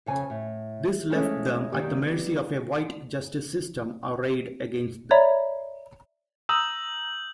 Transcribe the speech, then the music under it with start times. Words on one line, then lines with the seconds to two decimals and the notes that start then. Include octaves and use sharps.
This left them at the mercy of a white justice system arrayed against them.
0.06 F2 C#3 G#5
0.30 A2
1.11 F3 G#3 A3 C#4 E4
1.72 D#3 G3 A#3 G4
2.02 G3 B3
5.11 C#5 D5 E5 A#5 B5
6.49 A#5 D#6 E6 G6 F#7